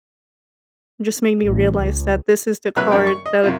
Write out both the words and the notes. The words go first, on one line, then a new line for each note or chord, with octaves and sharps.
just made me realize that this is the card that
A1
C#2
C3 F#3 A#3 B4 E5 F#6
F#2 D4 G5
C#6
D#5
F#2 C3 F4